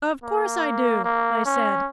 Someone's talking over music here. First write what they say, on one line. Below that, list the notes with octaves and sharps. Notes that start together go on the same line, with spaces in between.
"Of course I do," I said.
A#3
A#3
C#4